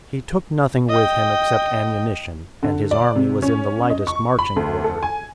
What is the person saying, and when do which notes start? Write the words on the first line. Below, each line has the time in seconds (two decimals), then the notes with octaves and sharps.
He took nothing with him except ammunition, and his army was in the lightest marching order.
0.89 D#5 G5
2.63 D3
2.91 D5
3.16 C3
3.42 C#4
3.90 D#5
4.07 C#6
4.39 B5
4.56 D2
4.84 A4
5.03 G#5